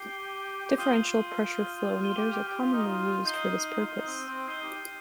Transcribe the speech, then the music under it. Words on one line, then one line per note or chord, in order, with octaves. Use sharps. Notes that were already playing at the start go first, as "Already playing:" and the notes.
Differential pressure flow meters are commonly used for this purpose.
Already playing: G4 C7 D#7 G7
G4
F4 D#6 G6 C7 D#7 G7
F4 F6 D#7 G7
G4
G4
G4
F4
D#4
F4
D#4 D#6 G6 C7 D#7 G7
F4
D#4
C4
C4
D#4 G6 C7 D#7 G7
G4